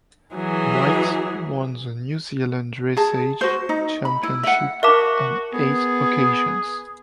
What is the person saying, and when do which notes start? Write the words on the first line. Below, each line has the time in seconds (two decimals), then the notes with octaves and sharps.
White won the New Zealand dressage championship on eight occasions.
0.33 E3 F#3 G#4
2.97 G#4 A5
3.41 F#4 C5
3.69 D#4
4.05 B5
4.23 E4
4.43 E5 F#5
4.83 F#4 A#4 E5 F5 A5 D6
5.53 B3 G#4